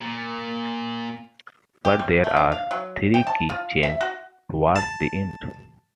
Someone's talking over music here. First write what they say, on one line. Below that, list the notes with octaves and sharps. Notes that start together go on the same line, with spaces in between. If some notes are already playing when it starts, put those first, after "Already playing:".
But there are three key changes towards the end.
A#2
G4
G3
A3
D4
F5
F#3
G5
A5
F4
E5
F#4
A5